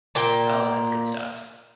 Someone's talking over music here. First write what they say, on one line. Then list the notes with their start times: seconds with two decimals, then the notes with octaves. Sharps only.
Oh, that's good stuff.
0.15 A#2 A#3 G5